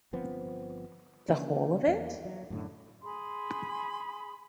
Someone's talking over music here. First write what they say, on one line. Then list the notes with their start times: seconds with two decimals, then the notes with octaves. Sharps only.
The whole of it?
0.13 G1 F3 B3 C4
1.28 C#3 A#3 D4
1.88 E2 A#3
2.25 F#3
2.50 F#2 A2 D3
3.01 G#4 B5 C6